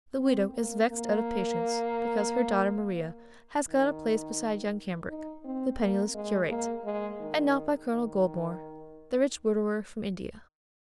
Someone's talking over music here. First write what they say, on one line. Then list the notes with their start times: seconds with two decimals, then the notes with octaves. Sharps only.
The widow is vexed out of patience, because her daughter Maria has got a place beside young Cambric, the penniless curate, and not by Colonel Goldmore, the rich widower from India.
0.19 C4
0.54 A#3
0.89 A#3
3.69 D#3
5.09 D#4
5.45 C4
5.80 A#3
6.14 G#3
6.49 A#3
6.85 G#3
7.20 D#3
7.90 D#3